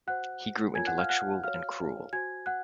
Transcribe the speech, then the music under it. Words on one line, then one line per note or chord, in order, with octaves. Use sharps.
He grew intellectual and cruel.
F#4 C5 F#5 F#6
F4 A#4 C#5 G#5 G#6
F#5 F#6
F5 F6
F#5 F#6
F#4 C#5 F5 F6
F#4 C5 G#5 G#6
F#5 F#6